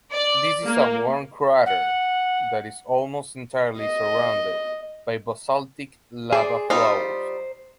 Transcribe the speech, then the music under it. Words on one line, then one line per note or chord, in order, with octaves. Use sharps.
This is a worn crater that is almost entirely surrounded by basaltic lava flows.
D5
A#3
F#5
D#5
G#4 C5 D5
G3 D#4 F4 C5